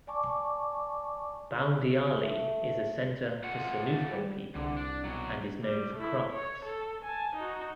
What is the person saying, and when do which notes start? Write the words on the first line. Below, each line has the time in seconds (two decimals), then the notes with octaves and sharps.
Boundiali is a centre for Senoufo people and is known for crafts.
0.07 D5 G#5 A5 C#6 D6
2.17 A3
3.44 A3 F4 F#5
4.14 G3
4.55 C2 D3
4.77 D4
5.05 B2 F#3
5.61 G3
5.95 A3 E4
6.32 C#5
6.64 A4
7.04 G#5 A5
7.35 D#4 F#4